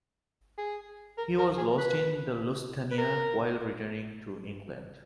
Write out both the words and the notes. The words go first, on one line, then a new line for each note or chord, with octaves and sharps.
He was lost in the "Lusitania" while returning to England.
G#4
A#4
A#4
G#4
B4
B4
A#4